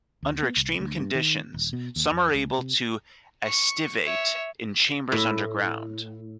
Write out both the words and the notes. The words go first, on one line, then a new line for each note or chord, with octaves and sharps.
Under extreme conditions, some are able to aestivate in chambers under ground.
D2
B3
C2
D2
G2
D#3
D#1
B2
D#2
F2
C#2
C3
C#6
C#5 E5
A2